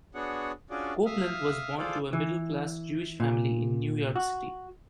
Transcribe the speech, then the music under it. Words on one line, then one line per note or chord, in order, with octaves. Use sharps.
Copeland was born to a middle-class Jewish family in New York City.
B3 D4 F#4 G#4 C#5 F#5
C#4 D4 F4 F#4 G#4 D5
E5 F5 D#6 F6
F4 G#4 A4 C5 D5 F5
E3
A#2
F#4